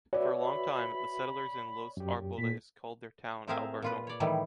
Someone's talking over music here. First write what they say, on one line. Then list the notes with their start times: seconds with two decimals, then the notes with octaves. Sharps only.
For a long time, the settlers in Los Árboles called their town Albardón.
0.13 F#4 B4 C#5 D5 E5
0.43 B5
1.97 F#2 G4
2.38 A#2 B6
3.48 A2 C4 G#4 A#4 E5 F5
3.82 A#2 F4 B4
4.07 C#5 D5
4.20 A2 D#3 E3 G3